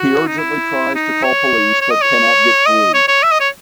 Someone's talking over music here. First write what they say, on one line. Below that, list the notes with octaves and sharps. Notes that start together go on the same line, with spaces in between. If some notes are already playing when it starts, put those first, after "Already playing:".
He urgently tries to call police but cannot get through.
Already playing: F#4
D#4
E4
D#4
C#5
C#5
D#5
C#5
D#5
C#5
C#5
E5
D#5
C#5